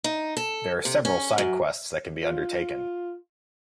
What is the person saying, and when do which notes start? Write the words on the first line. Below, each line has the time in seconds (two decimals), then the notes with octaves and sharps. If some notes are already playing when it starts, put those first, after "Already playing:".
There are several side quests that can be undertaken.
0.04 D#4
0.37 A4
0.85 C3
1.05 C#4
1.38 F#2
2.22 F4